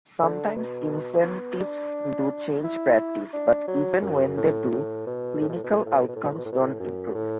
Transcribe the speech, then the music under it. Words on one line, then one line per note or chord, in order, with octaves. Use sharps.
Sometimes incentives do change practice, but even when they do, clinical outcomes don't improve.
D3
B2
B3
D4
E4
D4
F#3
F#2
A2
A2
B2
A2
B2
A2
B2
A2
B2
A2
B2
A2
B2
A2
B2
A2
B2
A2
B2
A2
F#2
F#2
A2